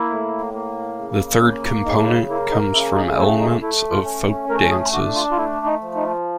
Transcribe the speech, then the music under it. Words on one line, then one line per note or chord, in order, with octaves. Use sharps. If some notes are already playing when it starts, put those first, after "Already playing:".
The third component comes from elements of folk dances.
Already playing: A#3 E4
A2
A#3
C#3
A#3
C#3 D#4
D#4
A#3 E4
D#4
C#3 E4
D#4
A3 E4
D#4
A3 E4
F4
C#4
A3 A#4
G#4
D4 F#4
F4
F4
A3 E4
D#4
F3
D#4